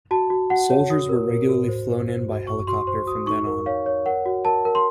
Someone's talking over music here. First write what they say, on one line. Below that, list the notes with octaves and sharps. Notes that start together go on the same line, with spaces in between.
Soldiers were regularly flown in by helicopter from then on.
F#4 A5
F#4
F#4 F#5
C#5
F#4 D#6
A#4
A#4
F#4
C5
C5
C5
F#4
F#4 C#6
F#4 C6
C5 C6
F#4 D#6
D#4 C#6
A#4
C#5 F5
C#5
A#4 F#5
F#4
A#4 A5
A#4
C6